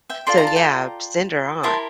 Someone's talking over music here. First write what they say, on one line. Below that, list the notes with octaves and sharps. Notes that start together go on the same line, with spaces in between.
So, yeah, send her on."
E5 G5
F4 A4 D5 C6
A#5
A5
G5 A#5
E4 G4 A#4 A5 C6